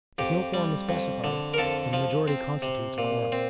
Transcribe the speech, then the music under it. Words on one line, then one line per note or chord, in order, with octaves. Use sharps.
If no quorum is specified, then a majority constitutes a quorum.
F2 G4
G3
F2
D3
A#4
F2 A4
F3
C4
C3
A#2
C4